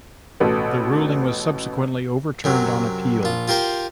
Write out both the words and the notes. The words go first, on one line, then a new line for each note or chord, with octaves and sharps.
The ruling was subsequently overturned on appeal.
A1 B2 A4 B4
F#2 C3 F#3
A#1 F4
F4 G4 A#4 C5 G5